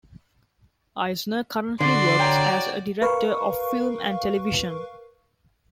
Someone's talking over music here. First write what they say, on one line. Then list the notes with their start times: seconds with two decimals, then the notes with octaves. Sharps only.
Eisner currently works as a director of film and television.
1.81 D3 F#4 D5 C6
2.18 C#5 G5 A#5
3.02 A#4 B4 F5 C#6